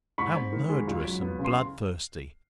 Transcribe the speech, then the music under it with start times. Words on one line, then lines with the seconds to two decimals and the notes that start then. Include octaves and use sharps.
"How murderous and bloodthirsty!"
0.18 G#2 B5 C#6
0.36 C4
0.52 D#3
0.69 G#3
0.88 C#2
1.05 F#3
1.22 B3
1.39 C#3
1.44 C6